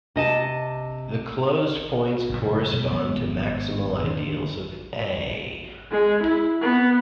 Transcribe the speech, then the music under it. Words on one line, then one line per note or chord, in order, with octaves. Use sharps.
The closed points correspond to maximal ideals of "A".
C3 D#5 A5
F#1 G2 A#2
B2 G3
G#1 G#3 B3
D3 D#3 B3 D4
G#3
E4
B3